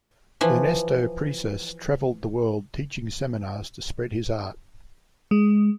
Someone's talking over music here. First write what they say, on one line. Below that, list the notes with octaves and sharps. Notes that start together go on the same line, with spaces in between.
Ernesto Presas traveled the world teaching seminars to spread his art.
E3 F3
G#3